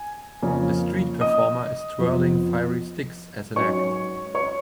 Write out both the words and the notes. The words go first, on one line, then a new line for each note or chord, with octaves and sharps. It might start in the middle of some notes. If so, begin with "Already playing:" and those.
A street performer is twirling fiery sticks as an act.
Already playing: G#5
F2 C#3 F3 A#3 C#4
D#5 D#6
F2 F3 B3
G#2 F#3 C#4 C#5 C#6
C#5 C#6